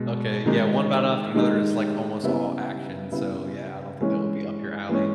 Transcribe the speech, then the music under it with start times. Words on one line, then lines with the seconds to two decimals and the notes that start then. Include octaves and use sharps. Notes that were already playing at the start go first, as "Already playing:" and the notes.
Okay, yeah, One Battle After Another is, like, almost all action, so, yeah, I don't think that would be up your alley.
Already playing: B2 G#3
0.46 D#3 G#3 D#4 G4
1.35 D#3 G#3 D#4 G4
2.23 C#3 G3 B3 E4
3.12 C#3 G3 B3 E4
4.01 E3 G#3 C#4
4.89 E3 G#3 C#4